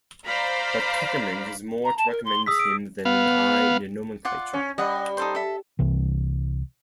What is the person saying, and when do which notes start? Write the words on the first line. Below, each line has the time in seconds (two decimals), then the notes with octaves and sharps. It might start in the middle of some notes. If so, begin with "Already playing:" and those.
But Tuckerman has more to recommend him than an eye and a nomenclature.
0.25 C5 D5 F5 A#5 B5
1.84 A#5
1.97 A5
2.10 A#4
2.24 C6
2.46 G#4 D#6 E6 B6
2.59 D7
3.05 B3 F5
4.25 F4 D5 F#5
4.53 C#4
4.78 G3 D#5 F#5
5.17 D#4 A4 C5
5.35 A4 E5
5.79 C2 C3 E3